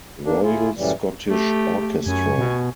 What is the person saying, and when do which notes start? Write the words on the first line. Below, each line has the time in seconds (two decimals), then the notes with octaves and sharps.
Royal Scottish Orchestra.
0.24 A#3 D4
0.43 E4 F4 G#4
0.77 F#2 A2 C#3 E3 G3
1.29 A3 G4
2.06 F#2 G#5 C#6
2.38 B2